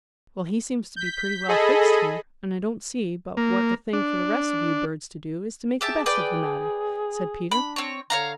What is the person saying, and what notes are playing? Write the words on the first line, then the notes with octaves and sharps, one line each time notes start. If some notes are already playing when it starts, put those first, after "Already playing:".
"Well, he seems to be pretty well fixed here, and I don't see but what the thing for the rest of you birds to do is to make the best of the matter," said Peter.
G6 B6
G#4 A4 D#5 B5
A#3
D4
G4 G#4 E5 A5
B4 D5 G5
D4 B5
C4 C#5
D3 C#5 F5 A#5